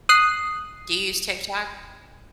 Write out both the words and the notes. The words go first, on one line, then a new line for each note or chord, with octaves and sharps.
Do you use TikTok?
D#6 F#6 C7